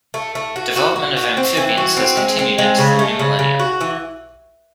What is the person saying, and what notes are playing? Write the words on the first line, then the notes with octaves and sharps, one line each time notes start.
Development of amphibians has continued into the new millennium.
A3
A3
F#4
F#4
F#4
F#4
C4
E3
F#4
C4
G#3
C4
G#3
C#3
A3
C#3
C#3
F#4
E3